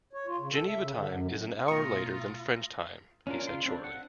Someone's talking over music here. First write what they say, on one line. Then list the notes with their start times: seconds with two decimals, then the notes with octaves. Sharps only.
"Geneva time is an hour later than French time," he said shortly.
0.13 C#5
0.27 F4
0.39 C#3
0.52 A4
0.67 E5
0.80 C#3
0.95 D3
1.09 F#2
1.68 B2 A3 F4 F5 A#5 C#6 D#6
3.27 C#4 D4 F4 A#4
3.47 C#3 F4 C6
3.66 C4 D4
3.84 F#5